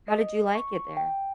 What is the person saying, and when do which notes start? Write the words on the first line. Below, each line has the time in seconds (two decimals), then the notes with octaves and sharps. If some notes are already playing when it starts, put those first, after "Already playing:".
How did you like it there?
0.08 D#5
0.55 C#6
0.97 G5